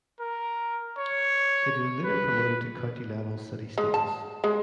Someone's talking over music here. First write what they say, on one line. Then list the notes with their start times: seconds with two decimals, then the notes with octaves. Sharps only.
It was later promoted to county-level city status.
0.20 A#4
0.97 C#5
2.04 B4
3.78 G#3
3.94 A5
4.44 G#3